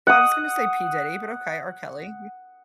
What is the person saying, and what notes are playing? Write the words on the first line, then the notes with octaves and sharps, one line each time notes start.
I was gonna say P Diddy, but okay, R. Kelly.
F#5 D#6